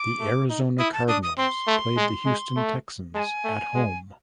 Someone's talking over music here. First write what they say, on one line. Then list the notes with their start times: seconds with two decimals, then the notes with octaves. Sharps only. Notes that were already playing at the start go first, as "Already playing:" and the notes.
The Arizona Cardinals played the Houston Texans at home.
Already playing: D6
0.20 A3
0.50 D#4
0.78 E4 D#6
0.93 A5
1.08 D4 D#6
1.23 D#6
1.37 C4 C6
1.67 A3
1.97 G#3
2.26 G#3
2.56 A3
3.14 G#3 A5
3.19 G#5
3.44 A3
3.74 G#3